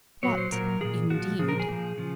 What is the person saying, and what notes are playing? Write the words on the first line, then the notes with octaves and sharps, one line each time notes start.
What indeed!
A#2 F#3 C#5
C5
A#2 F#3 A#4
A#2 F3 G#4
A#2 F3 F#4
A#2 F3 G#4
A#4
G#4
A#2 F3
C#3 F3